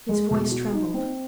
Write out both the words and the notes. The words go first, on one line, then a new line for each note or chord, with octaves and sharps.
His voice trembled.
G#3
B2
F#4
D#4
C4